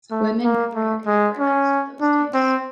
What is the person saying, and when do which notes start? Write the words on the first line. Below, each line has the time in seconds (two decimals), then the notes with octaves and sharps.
Women never had hit records in those days.
0.11 A3
0.44 A#3
0.75 A3
1.06 G#3
1.39 C#4
2.01 D4
2.34 C4